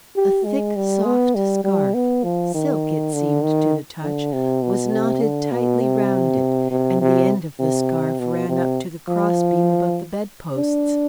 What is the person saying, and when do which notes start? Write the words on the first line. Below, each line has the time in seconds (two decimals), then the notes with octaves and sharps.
A thick soft scarf--silk it seemed to the touch--was knotted tightly round it, and the end of the scarf ran up to the cross-beam above the bed-posts.
0.16 G4
0.45 G#3
0.76 G3
1.05 B3
1.35 G3
1.64 G3
1.94 B3
2.24 F3
2.54 D#3
3.13 D3
3.43 D#3
4.03 D3
4.33 C3
4.63 B2
4.92 C3
5.22 D3
5.52 B2
5.81 C3
6.71 C3
7.01 C3
7.60 C3
8.20 B2
8.49 C3
9.08 F3
10.58 D4